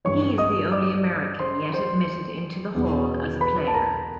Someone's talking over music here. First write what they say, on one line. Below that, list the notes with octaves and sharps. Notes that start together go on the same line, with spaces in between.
He is the only American yet admitted into the Hall as a player.
G2 E3 C#5 C#6
D#5 D#6
D5 D6
C5 C6
C5 C6
E2 B2
B4 B5
A5
A#4 A#5